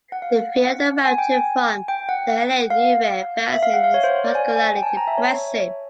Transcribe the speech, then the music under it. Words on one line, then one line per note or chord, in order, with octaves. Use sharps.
The view of the mountain from the L'A-Neuve basin is particularly impressive.
F#5
F5
F#5
G#5
G5
G#5
G5
F#5
F#5
F5
E5
F5
F#5
F5
C#5
C5
D5
G#5
G#5
G5
A5
G#5
A#5
E5
C#5